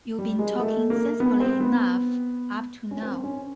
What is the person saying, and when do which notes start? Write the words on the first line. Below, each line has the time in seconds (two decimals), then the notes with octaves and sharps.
You’ve been talking sensibly enough up to now.
0.19 G3
0.39 G#3
0.59 A3
0.90 A#3
1.20 B3
1.40 C4
1.60 B3
2.91 C#4
3.03 C4
3.24 C#4